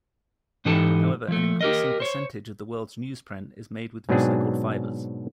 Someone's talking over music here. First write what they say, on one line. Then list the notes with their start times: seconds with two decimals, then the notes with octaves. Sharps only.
However, an increasing percentage of the world's newsprint is made with recycled fibers.
0.65 G#2 E3 D#4 G4 A4 A5
1.28 F3 A3
1.61 G4 A#4 D#5
2.00 C5 C#5
4.09 G#2 B2 F#3 C4 D4 G#4